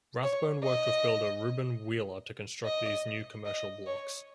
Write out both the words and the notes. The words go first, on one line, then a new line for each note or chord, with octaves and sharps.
Rathbone worked with builder Reuben Wheeler to construct these new commercial blocks.
C#5
D#5
D#5
D#5
C#5